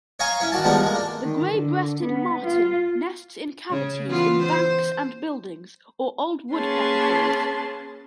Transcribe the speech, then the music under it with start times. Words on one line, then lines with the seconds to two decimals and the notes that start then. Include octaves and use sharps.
The grey-breasted martin nests in cavities in banks and buildings, or old woodpecker holes.
0.19 C#5 D#5 F5 G#5 A#5
0.40 C#4 E4 C#5
0.52 D#3 F#4 D5 A5
0.64 F3 G3 G#3 B3 D4 D#4
0.83 G#3 A#3
0.95 D4
1.23 D#3
1.51 D3
2.04 B3
2.45 F4
3.71 C#3
4.07 E3 B3 F4
4.43 C5
6.54 A#3 C#4 G#4 B4 A5 C6